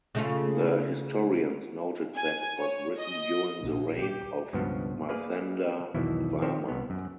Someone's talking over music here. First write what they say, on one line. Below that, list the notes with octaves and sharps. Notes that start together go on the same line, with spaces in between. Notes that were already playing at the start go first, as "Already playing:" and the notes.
The historians noted that it was written during the reign of Marthanda Varma.
C#3 A3 F4
G#5
C#5
D#5
A#1
G4
C#2 G2 B2 F3 B3 F#4
A#3 G#4 B4 D5 F5
B1 E2 B2 D#3 E3 E4
D#3 F3 C4 G4 C5 C#5
C2 B3
F#2